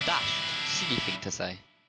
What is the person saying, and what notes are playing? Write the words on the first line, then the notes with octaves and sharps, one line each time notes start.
Dashed silly thing to say.
D4 E4